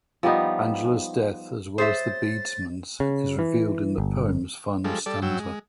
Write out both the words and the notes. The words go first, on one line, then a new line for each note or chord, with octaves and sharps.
Angela's death, as well as the beadsman's, is revealed in the poem's final stanza.
F3 G3 B3 D#4
G#4 C5 C#5 E5 A6
C#3
E3
G1
F3 G3 G#3 A4
G3 A4 D5
F#2 F#3 G5 E6
G#3